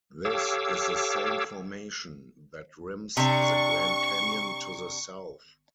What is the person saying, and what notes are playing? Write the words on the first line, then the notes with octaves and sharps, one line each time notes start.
This is the same formation that rims the Grand Canyon to the south.
G4 A4 C#5 F5 D6 E6
C3 D4 C#6